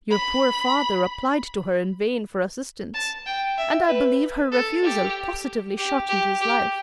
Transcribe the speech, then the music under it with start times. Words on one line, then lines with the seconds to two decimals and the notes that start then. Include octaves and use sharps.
Your poor father applied to her in vain for assistance, and I believe her refusal positively shortened his life.
0.11 B5
2.94 A5
3.26 G5
3.58 E5
3.88 B4
4.52 A4
4.83 G4
5.78 G4
6.09 G4
6.41 G4